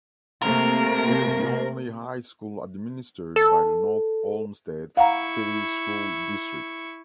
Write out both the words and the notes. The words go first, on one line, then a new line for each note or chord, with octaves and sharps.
It is the only high school administered by the North Olmsted City School District.
C3 A3 A#3 A#4
A4
E4 F5 F#5 A#5 C#6